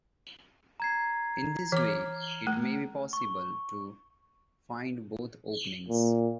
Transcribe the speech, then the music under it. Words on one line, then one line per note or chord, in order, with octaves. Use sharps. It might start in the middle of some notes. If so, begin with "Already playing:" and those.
In this way, it may be possible to find both openings.
A#5 G#6 C7
E3 D6 F6
A3
C#6
A#2